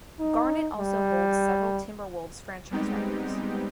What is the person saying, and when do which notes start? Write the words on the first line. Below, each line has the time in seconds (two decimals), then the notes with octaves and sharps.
Garnett also holds several Timberwolves franchise records.
0.20 D#4
0.78 G3
2.71 G3 G#3 B3 C4 D#4 G4